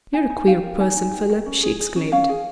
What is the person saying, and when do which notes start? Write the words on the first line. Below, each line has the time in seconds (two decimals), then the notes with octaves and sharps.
"You're a queer person, Philip," she exclaimed.
0.13 D#4 G#5
0.30 D#4
0.47 G4 F5
0.63 A#4
0.80 D#4 G#5
0.97 D#4
1.13 G4
1.30 A#4
1.46 C#4
1.63 G#4
1.79 G#4
1.96 C#4
2.12 C#4 F5
2.29 G#4